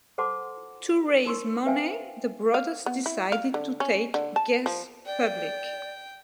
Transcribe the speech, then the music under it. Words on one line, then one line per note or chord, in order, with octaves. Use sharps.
To raise money, the brothers decided to take Guess public.
A4 C5 F#5 A5 C6 D6
D#4 A#4 C6 C#6 E6
B4 C5 E5 F5 G5 G#5
F5
B3
E4
F5
D3
C#4
D3
A5
F3
D5 G5